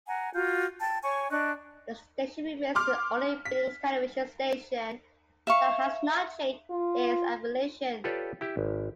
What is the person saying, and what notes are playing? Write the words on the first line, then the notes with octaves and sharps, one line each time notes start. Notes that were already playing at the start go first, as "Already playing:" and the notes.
The station remains the only Billings television station that has not changed its affiliation.
F#5 G#5 A#5
F4 F#4 G6
G5 A5
C#5 G#5 C#6
D4 D#5 C#6 F#6
C6 D6 F6
B6
E5 F5 C#6
F4
F4 G4 A4 B4 C#5 D5
E4 G4
G#1